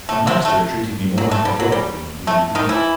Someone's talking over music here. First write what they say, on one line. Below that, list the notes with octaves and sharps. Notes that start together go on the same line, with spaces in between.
My master treated me more like a dog than a human being.
A3
C3 C4
A3
F#3
A3
G3
F#3
G3
A3
D#3 D#4
E3 E4